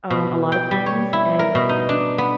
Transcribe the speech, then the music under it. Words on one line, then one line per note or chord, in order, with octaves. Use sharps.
um, a lotta times. And
B2
G5
G3
C#5
E4
A#4
B2
D#4
D4
B3